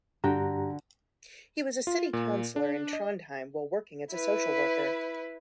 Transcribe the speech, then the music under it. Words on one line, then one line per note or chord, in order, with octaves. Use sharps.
He was a city councillor in Trondheim while working as a social worker.
G2 D3 F#4 G4 G5 A#5
F4
A#2
D4
D#5
E4 B4